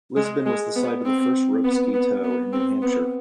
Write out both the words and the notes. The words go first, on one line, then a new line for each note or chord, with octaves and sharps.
Lisbon was the site of the first rope ski tow in New Hampshire.
G#3
G#3
B3
C4
B3
B3
B3
C4
B3